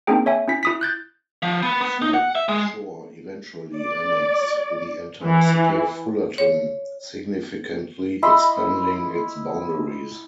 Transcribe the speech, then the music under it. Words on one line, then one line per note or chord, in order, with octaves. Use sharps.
South Shore eventually annexed the entire city of Fullerton, significantly expanding its boundaries.
A#3 C4 D4 D#4 G#4 G5
C#5 E5 G#5
C#4 E4 B6
E4 D#6 B6
F#6 G6 A6
F3
B3
B3
D#4
F#5
E5
G#3
D5
E3
C#5
E4 D#5 B5 C6